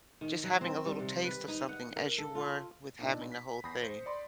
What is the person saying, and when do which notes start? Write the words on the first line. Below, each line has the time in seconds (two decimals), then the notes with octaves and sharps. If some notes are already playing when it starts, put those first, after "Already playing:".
just having a little taste of something as you were with having the whole thing.
0.21 D#3
0.44 F#3
0.61 C4
0.85 G3
1.00 C3
1.24 B4
1.48 D#4
1.69 F#5
1.96 A#4
2.18 A4
2.35 F4
2.99 A#2 D4 D#4
3.32 B6
3.64 E2 B5 D#6 G6 A#6 C7
3.82 C5 C#7
4.06 D5 B5 C6